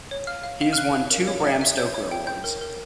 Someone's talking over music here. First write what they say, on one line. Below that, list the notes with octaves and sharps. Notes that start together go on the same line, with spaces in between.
He has won two Bram Stoker Awards.
C#5
F5 F6
F5
F5
F6
F5 F#6
F5
A#4
C#5
E5
E5
C#5 G6
C#5
G5
G5 G6
A#4
A#4